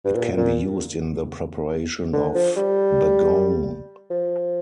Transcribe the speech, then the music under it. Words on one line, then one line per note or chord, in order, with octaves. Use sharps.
It can be used in the preparation of "bagoong".
G2
A#2
A#2
D3
F3
G3
F3